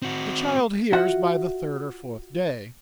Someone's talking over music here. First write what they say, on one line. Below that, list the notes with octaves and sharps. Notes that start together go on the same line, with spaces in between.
The child hears by the third or fourth day.
C4 F#4
F4 F#4 E5 F#5